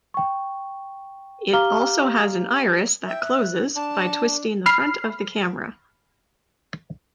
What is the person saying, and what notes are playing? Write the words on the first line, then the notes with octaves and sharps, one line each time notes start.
It also has an iris that closes by twisting the front of the camera.
G5 C#6
G4 F5 A#5 D6 F6 G7
E5 G5
F#6
D4 A5
B5 F6 C7